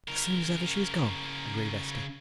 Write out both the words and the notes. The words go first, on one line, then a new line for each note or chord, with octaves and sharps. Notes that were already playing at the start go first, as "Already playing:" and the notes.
"As soon as ever she's gone," agreed Esther.
C#3 A#4